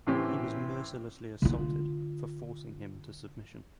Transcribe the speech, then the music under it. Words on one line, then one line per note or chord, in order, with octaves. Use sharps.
He was mercilessly assaulted for forcing him to submission.
A2 C#3 E3 C4 C#4 G4
D3 F4